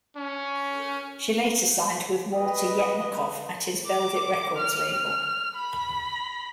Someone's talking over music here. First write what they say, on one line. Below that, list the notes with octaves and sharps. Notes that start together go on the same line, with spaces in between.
She later signed with Walter Yetnikoff at his Velvel Records label.
C#4
B4 D#5
D6
F6
B5